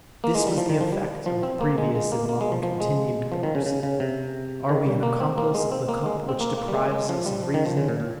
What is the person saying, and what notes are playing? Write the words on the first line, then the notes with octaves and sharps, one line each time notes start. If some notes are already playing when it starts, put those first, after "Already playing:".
This was the effect of previous and long-continued thirst. Are we an accomplice of the cup which deprives us of reason?
A#3
G#3
G3
F3
D#3
F3
G3
F3
C4
A#3
G#3
G#3
A#3
A#3
G#3
F3
F3
G#3
F3
D#3
C#3
C#3
C#3
C3
D#3
G3
A#3
C4
A#3
G#3
C4
A#3
G#3
C4
A#3
A#3
G3
G#3
G#3
F3
G3
F3
D#3
F3
C#3
A#2
A#2